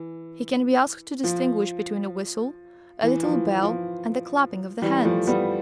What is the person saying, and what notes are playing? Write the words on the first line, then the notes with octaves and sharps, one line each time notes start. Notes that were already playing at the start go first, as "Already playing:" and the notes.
He can be asked to distinguish between a whistle, a little bell, and the clapping of the hands.
Already playing: E3
F3
E3
F3
E3
F3
E3 G3
F3 A3
G3 B3